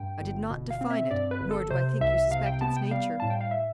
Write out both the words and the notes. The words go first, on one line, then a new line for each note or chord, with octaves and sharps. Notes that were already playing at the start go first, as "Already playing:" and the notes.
I did not define it, nor do I think you suspect its nature.
Already playing: G2 G5
G1
B2
F5
C4
E5
G2 D5
B4
G1
A4
C3 C5
C2 E5
C3 F5
G5
B3 A5
G5
G3 F5
A2 A5
G5
F5
E5